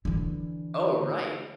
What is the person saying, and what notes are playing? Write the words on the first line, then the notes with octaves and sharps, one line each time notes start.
Oh, right.
D3 E3